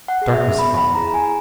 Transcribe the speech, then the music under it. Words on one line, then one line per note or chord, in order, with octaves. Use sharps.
Dark was falling.
F#5
G#4
E5
B3 B5
B5
E4 G#4 A#5
G#5